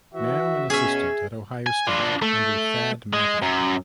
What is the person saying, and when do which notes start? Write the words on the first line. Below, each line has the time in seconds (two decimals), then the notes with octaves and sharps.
Now an assistant at Ohio State under Thad Matta.
0.14 E3 F#4 E5
0.70 B2 C#4 G#4 E5
1.67 G#5
1.87 D4 F4
2.22 A3
3.13 G#3
3.42 F#2